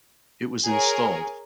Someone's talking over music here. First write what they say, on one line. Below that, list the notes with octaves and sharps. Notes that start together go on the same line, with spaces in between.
It was installed.
G#4 A#4 C#5 G#5